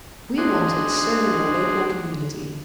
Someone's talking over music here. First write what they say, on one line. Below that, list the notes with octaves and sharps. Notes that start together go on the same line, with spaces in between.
We want it serving the local community.
D4 D#4 F#4 G#4 C5